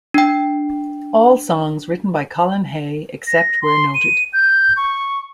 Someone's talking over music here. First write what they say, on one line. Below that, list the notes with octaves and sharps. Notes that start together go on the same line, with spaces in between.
All songs written by Colin Hay, except where noted.
D4 G5
A#6
C6
D#7
G6
C#6